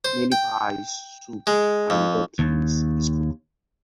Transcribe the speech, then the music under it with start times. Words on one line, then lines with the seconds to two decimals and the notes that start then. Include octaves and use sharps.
Many pies, soup and dumplings is cooked.
0.05 C5
0.32 G5
1.47 G#3
1.90 F2
2.39 D#2